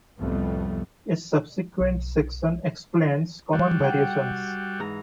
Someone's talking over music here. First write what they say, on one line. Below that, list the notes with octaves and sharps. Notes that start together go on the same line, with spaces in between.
A subsequent section explains common variations.
C2 F2 A2 G3 A3 B3
B1
G3 F#4
F#5 G5
G#2 E3 A#5